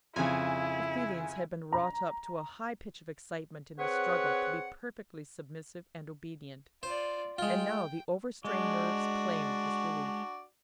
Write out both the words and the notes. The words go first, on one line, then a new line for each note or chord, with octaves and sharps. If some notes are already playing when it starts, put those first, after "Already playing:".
Her feelings had been wrought up to a high pitch of excitement in the struggle to be perfectly submissive and obedient, and now the overstrained nerves claimed this relief.
F2 C#3 E4 G#5
A#5
C4 G#4 B4 C#5 F#5
F4 C5 D5
G#3 F4 G5
G#3 D4 F#4 D5